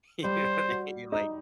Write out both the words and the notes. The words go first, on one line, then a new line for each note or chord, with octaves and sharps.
You know what I mean? Like
G3 C5
F#4
D#4